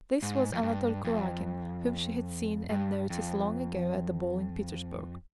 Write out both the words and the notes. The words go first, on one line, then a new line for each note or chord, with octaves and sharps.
This was Anatole Kuragin whom she had seen and noticed long ago at the ball in Petersburg.
G#2
F2
G2
F2
G2
F2